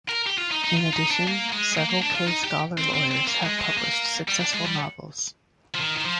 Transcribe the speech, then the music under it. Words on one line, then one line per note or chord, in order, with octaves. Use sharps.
In addition, several Kaye Scholer lawyers have published successful novels.
A#4
G4
F4
D#4
D#4
F4
D#4
D4
A#3
G#3
A#3
A#3
D4
F4
D#4
G4
C4
C4
C4
A#3
G#3
G#3
A#3
G3
D4
G#3
G3
F3
D#3
D#3
F3